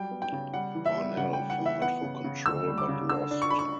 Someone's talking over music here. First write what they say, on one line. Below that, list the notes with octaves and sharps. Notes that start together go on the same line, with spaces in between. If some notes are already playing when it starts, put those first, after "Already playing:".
Parnell fought for control, but lost.
Already playing: F#3 G3 G5
B3
G5
C#3
G3 F#5
E3
E5
G3
C#3 F#5
G5
G3
F#5
E3
E5
B3 F#5
C#3
C#3
D2 E6
G3
D6
C#3
D3 E6
D4
C#6
D4 B5
C#6